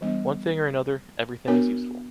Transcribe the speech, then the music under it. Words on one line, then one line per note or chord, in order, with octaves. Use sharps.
One thing or another, everything is useful.
E3 G3 B3 D4
B3 D4 F#4 A#4 C#5